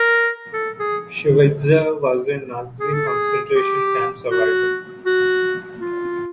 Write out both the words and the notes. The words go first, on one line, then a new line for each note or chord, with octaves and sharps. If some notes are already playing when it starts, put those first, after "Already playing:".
Schweitzer was a Nazi concentration camp survivor.
Already playing: A#4
A4
G#4
G#4
A4
G#4
G4
F#4
F#4
F4